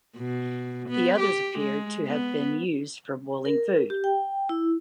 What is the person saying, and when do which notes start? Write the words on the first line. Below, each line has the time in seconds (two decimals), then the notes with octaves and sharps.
The others appear to have been used for boiling food.
0.17 B2
0.89 B3
1.20 G4
1.58 G#3
2.06 B3
3.45 A#4
3.90 G4
4.04 G5
4.49 E4